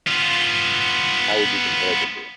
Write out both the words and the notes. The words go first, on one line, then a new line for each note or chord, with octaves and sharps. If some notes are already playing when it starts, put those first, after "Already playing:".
How would you compare the two?
B3 F4